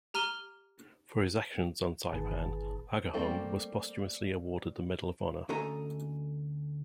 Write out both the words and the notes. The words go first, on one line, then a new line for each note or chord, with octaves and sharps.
For his actions on Saipan, Agerholm was posthumously awarded the Medal of Honor.
G4 A#5 F6 D#7 G7
G1 A#2 D#3 G#4 B4 A5
G3 A3 A#3 C4 A4
D2 C#4 A4 D#5 A#5